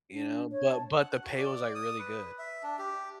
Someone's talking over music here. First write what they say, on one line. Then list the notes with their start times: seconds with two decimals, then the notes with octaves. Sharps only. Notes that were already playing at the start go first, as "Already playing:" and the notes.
you know, but but the pay was, like, really good,
0.12 D4
0.52 C#5
0.72 A5
0.95 F#5
1.11 F#5
1.23 F#4
1.38 D5
1.75 D#6
1.99 B4
2.38 E5
2.63 D4
2.79 G4